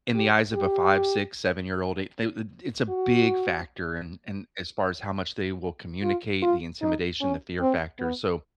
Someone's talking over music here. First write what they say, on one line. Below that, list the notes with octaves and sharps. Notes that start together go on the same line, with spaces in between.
in the eyes of a five, six, seven-year-old, they they it it's a big factor in in as far as how much they will communicate, the intimidation, the fear factor. So,
G4
G4
F#4
F4
F4
D#4
C#4
C4
B3